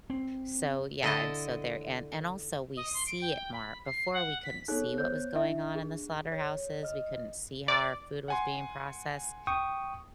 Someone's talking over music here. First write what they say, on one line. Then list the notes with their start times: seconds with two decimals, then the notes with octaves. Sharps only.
so yeah, and so there and and also we see it more, before, we couldn't see what was going on in the slaughterhouses, we couldn't see how our food was being processed
0.10 C4
1.03 D3 E4 D#5 A5
2.76 D#5
2.94 C6
3.07 D7
3.22 G5
3.53 B5
3.86 C7
4.14 F#5
4.44 B6
4.68 B3 D#4 G#4 A4 C#5 F#6
4.98 C5 G6
5.34 D4 E4 E5
5.75 G#4
6.32 C#5
6.83 D#5 F6
7.68 D5
8.28 F#5 G#5 C6
9.47 G5 C#6 D#6